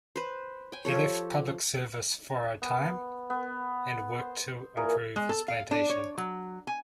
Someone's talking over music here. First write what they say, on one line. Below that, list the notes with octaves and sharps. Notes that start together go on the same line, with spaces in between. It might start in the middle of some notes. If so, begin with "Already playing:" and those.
He left public service for a time, and worked to improve his plantation.
B4 C5
G5 G#5
F3 G4 A4 C#5
B3
B3
C5
A#2 E3 G#4 A#4
G#3
A4
F5
D4
C#5
F#3
G#5